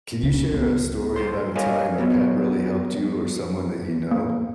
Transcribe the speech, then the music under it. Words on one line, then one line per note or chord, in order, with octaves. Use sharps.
Can you share a story about a time a pet really helped you or someone that you know?
C#2 C#3 C#4
C#2 A3 B3
G2 C5 C6
G4 A#4 C#5 D#5 F5 G#5
F#3 B3 C#5
A#3